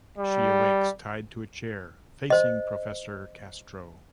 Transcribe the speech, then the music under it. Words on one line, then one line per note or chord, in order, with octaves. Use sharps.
She awakes tied to a chair, facing Professor Castro.
G3
C5 D#5